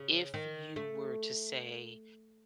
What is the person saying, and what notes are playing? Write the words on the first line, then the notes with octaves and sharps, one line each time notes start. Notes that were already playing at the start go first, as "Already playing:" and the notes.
if you were to say,
Already playing: C#3
D#3
A3